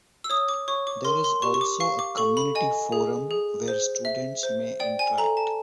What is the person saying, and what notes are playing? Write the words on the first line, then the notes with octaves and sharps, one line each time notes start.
There is also a community forum where students may interact.
E6
C#5 D#6
D6
C#5 C#6
D6
A#4 C6
C6
G4 C#6
C#6
D6
F5 C#6
D6
A4 C#6
B5
D#5 G#5
G#4
G#4
C5
E5
C5
D5 G5
G#5
A4 A#5
A5